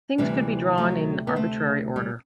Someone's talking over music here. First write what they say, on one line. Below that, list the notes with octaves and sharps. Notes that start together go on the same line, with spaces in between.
Things could be drawn in arbitrary order.
D2 C3 E3 G3
F#3 A3
B3
A3 C4
G3